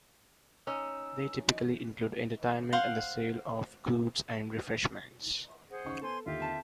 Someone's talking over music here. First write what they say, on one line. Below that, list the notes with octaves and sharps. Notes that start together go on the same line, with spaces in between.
They typically include entertainment and the sale of goods and refreshments.
C#4 D#4 E6
D#5
C5 F5 F#5 C6
G#4 C5 F#5
C#3 D#4 C#6
B3 A4 C5 G#5 C6
D#2 D3 F4 G4 E5
C4 A5